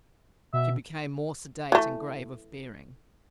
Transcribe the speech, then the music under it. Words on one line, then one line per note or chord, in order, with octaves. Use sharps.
She became more sedate and grave of bearing.
B2 E5
E3 A3